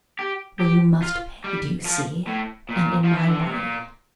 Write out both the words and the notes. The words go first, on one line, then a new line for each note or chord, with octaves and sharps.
Well, you must pay, do you see, and in my way?
G4
G4
F4
G3
F3
A2
A#2
F3
E3
D3
C3
A#2